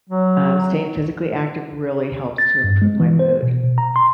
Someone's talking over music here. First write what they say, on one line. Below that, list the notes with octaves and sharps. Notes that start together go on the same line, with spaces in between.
um, staying physically active really helps to improve my mood.
F#3
A6
G2
G#3
E3
C5
B2
B2
A#5
C6